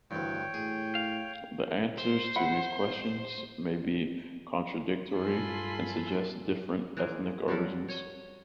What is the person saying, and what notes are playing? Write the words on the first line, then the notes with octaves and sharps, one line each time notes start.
The answers to these questions may be contradictory and suggest different ethnic origins.
D2 G2 E3 C#5 G5
A2 G#4
F5
C5
E5 F#5 B5
G2 F4 A4 G#5 B5 C6
E3 A#3 C4 G#4
F#3 G3 A4 A#4
C#5